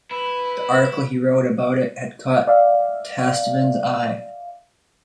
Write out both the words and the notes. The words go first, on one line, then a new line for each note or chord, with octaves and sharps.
The article he wrote about it had caught Tastevin's eye.
E4 B4 B5
D5 E5 F5